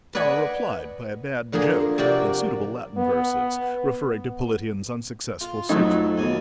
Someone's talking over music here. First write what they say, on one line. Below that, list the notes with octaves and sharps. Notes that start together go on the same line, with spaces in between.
Scala replied by a bad joke, in suitable Latin verses, referring to Politian's unsuccessful suit.
B4 D5 D#5 F#5 G#5
D3 F3 A#3 G#4
C3 A#3 F#4 G4 D5
B3
F4
F2 F#3 A3 D#4
D#2 B2 G#5